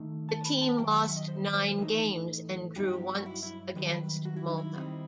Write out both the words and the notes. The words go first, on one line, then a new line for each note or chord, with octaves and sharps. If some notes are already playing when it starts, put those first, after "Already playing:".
The team lost nine games and drew once against Malta.
Already playing: D#3 A3 D#4
A5
B5
A5
F#2 D#3 G5
F#5
E5
D#5
C5
C5
C5
A2 E3 A3 D#4 B4
G2 F#3 B3 D#4 G4
F#4
G4
F#4
E4
E4
F#2 D#3 G3 B4
B4
F#4
E4
D#4
E4
D#3 G3 C4 D#4